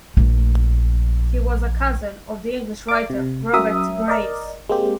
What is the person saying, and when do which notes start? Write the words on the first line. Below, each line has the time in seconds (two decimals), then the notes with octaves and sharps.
He was a cousin of the English writer Robert Graves.
0.17 A#1 A3
2.88 D5 D6
3.10 C3
3.53 F#3 C#4 A#4 E5 D#6
4.08 A#4 D5 D#5
4.70 G#3 A#3 C4 G4